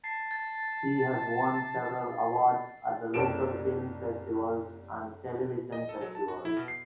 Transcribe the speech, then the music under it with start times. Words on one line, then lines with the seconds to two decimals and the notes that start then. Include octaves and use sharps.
She has won several awards at the local film festivals and television festivals.
0.04 A5 C7
0.31 A6
3.14 F#1 C2 C#4 A4 D7 E7
5.72 D#5
5.89 A4
6.01 F#3
6.15 A5
6.28 F#4
6.45 E4
6.57 B2
6.68 C7